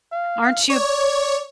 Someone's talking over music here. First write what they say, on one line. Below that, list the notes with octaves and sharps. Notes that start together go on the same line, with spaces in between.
Aren't you
F5
C#5 D5